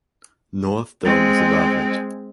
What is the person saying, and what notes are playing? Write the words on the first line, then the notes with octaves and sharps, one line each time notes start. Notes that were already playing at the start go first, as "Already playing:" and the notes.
North Dome is above it.
G#3 C4